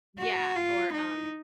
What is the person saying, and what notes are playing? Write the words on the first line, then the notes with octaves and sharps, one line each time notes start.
Yeah. Or, um
F#4
F4
D#4